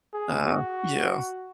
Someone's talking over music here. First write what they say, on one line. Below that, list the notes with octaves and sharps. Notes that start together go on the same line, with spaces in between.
Uh, yeah.
G#4
F#4